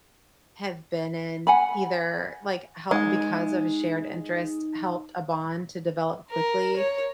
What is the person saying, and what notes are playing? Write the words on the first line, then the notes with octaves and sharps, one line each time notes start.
have been in, either like, how because of a shared interest, helped a bond to develop quickly,
F#5 G#5 B5
G#3 D#4
A#4
C#5